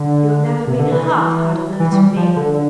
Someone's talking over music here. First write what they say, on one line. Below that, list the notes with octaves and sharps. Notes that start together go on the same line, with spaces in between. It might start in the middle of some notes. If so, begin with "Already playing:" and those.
You have never been half hard enough to me.
Already playing: D3
C3
D3
E3
E3
G3
F3
D3
D3